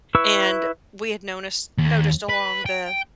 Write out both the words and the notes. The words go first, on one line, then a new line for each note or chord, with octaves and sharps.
and we had noticed noticed along the
E4 B4 C#6 E6
D#2
B4
G5